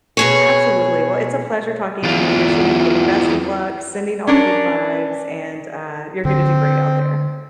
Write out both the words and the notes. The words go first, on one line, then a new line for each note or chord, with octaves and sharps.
Absolutely, well, it's a pleasure talking to you, wishing you the best of luck, sending all the good vibes, and, uh, you're gonna do great out there.
B2 G#4 C#5
E2 F4
C#4 D4 A#4
D3 C4